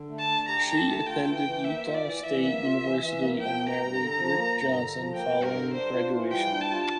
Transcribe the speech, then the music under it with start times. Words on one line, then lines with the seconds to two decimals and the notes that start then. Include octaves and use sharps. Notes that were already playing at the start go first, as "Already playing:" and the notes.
She attended Utah State University and married Rick Johnson following graduation.
Already playing: D3
0.09 A3
0.19 A5
0.28 D4
0.48 G4 A#5
0.68 D3
0.77 A5
0.87 A3
1.06 F4 G5
1.26 E3
1.35 G5
1.45 E3
1.65 A#3 E5
1.85 F4
1.94 D5
2.04 E3
2.23 E3 E5
2.43 A#3
2.62 F4
2.82 E3
3.01 E3
3.21 A#3
3.40 F3 G5
3.60 A#3
3.70 A#5
3.79 G2
3.98 D3
4.18 F3
4.37 A#3
4.58 G2
4.77 D3
4.96 F3
5.15 A#3 G5
5.35 G2
5.44 A#4
5.54 D3
5.74 D4 C5
5.94 F4
6.12 E3
6.32 G3 G5
6.52 D4
6.61 A5
6.71 F4